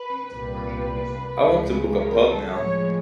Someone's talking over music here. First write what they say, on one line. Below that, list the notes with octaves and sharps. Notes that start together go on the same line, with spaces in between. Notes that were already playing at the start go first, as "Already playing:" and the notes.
I want to book a pub now.
Already playing: B4
C2 A#2 G3 B4
C#2 C#3 E3 G#3
A#4
A4
A2 F3 G#3 C#5